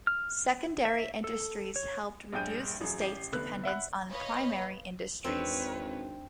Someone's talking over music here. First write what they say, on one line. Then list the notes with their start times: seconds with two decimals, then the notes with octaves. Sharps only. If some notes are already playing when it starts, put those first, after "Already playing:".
Secondary industries helped reduce the state's dependence on primary industries.
0.07 F6
0.85 E5
1.24 A4
1.76 C#5
2.33 A#1 G2 G#4 G5 G6 D#7
2.81 A1 F#3 G#4
3.01 A1 G4 C7 G7
3.32 F1 D3 A3 B3 B4 F#6
3.63 E5 F#5 B5 F#6
4.08 B4 C#5 D#5 F5 B5
5.24 G#1 E2 C4 D4 B4 C#5